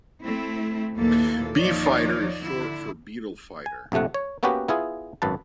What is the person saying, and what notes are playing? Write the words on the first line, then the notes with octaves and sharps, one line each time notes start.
B-Fighter is short for "Beetle Fighter".
A3 C4 E4
D#2 A#2 E3 A#3 A4
D#2 F3 D#4 C#5 D5
D3 E4
G#5
A#1 F2 C3 A3 F#5
C#5
A#3 B3 C#4 F#4 G4 B4
B3 E4 F4 G#4
G#1 F#2 B4 A5